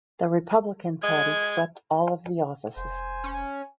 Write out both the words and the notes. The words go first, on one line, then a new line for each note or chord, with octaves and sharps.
The Republican Party swept all of the offices.
G#3 G#6
F1 C5 G#5
C#4